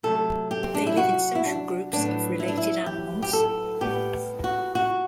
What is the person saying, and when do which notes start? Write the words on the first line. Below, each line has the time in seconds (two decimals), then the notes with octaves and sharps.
They live in social groups of related animals.
0.03 C3 F#3 A3 A4
0.51 G4
0.63 C4
0.75 D4
0.87 E4
0.97 F#4
1.35 E4
1.45 D4
1.92 A2 F#3 B3 D4
2.40 E4
2.48 D4
2.57 E4
2.86 G4
3.22 G4
3.33 A4
3.81 A2 G3 B3 G4
4.44 F#4
4.75 F#4